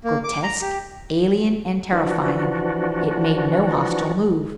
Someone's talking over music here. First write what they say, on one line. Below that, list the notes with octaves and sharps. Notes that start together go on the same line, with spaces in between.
Grotesque, alien and terrifying, it made no hostile move.
A#3
D6
A#5
G4
E3 F3 D4 F#4